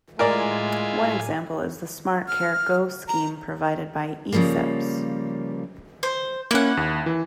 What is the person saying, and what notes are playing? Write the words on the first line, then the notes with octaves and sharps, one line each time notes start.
One example is the "Smartcare go" scheme provided by Ecebs.
A2 G#3 E4 F4 A#4 D5 G#5
F6
A#5
C#3 E3 F3 G3 A#3
C5
A#3 C#4 E4 F#5
D#2
E3